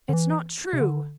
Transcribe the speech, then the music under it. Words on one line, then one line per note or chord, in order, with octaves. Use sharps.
"It's not true!"
D3
E3
C3
D3